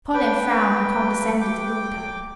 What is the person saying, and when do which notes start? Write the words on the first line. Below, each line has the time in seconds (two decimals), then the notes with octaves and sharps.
Colin frowned and condescended to look at her.
0.14 B4 G5
1.41 G5 D6